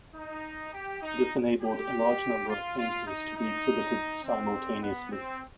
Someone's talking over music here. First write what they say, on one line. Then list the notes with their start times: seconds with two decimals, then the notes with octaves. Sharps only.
This enabled a large number of paintings to be exhibited simultaneously.
0.15 D#4
0.73 G4
1.02 D#4
1.61 G4
2.48 F4
2.78 F4
3.06 D#4
3.36 D#4
4.24 C4
4.82 B3
5.11 C4